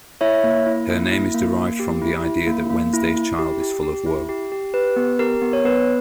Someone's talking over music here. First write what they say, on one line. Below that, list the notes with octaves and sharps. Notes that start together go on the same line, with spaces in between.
Her name is derived from the idea that Wednesday's child is full of woe.
E4 C#5 E5
A#3
E4
A#3
E4
A#3
A#3
G4
E4
E4
A#3
A#3
E4
E4
G4
G4
G4
E4
G4
G4
G4 B4
B3
G4 A#4
B3
C#5
B3 B4